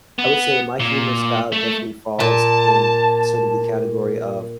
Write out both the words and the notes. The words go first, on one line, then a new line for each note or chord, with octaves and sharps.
I would say my humor style definitely falls in sort of the category of
B3
A#2
A3
A#2 A5